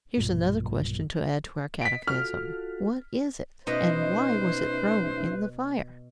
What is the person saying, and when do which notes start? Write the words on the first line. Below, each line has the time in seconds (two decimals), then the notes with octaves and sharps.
Here's another question to add to our catechism: what is it, and why was it thrown in the fire?
0.17 B1 G2 A#2
1.81 D#5 B6 D7
2.07 F4 F#4 A4 F6
3.67 B2 C#4 D#4 B4 C5 D#5 E5 B5